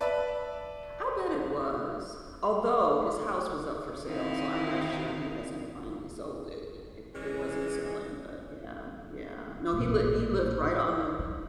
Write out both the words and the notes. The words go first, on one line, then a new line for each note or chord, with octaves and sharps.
I bet it was, although his house was up for sale, so I'm not sure he hasn't finally sold it it it wasn't selling, but yeah, yeah, no, he lived he lived right on the
B4 D5 E5 A5 B5
D#3 C4 D#4 E4 F5
E3 G#3 C#4
A1 A#2
D4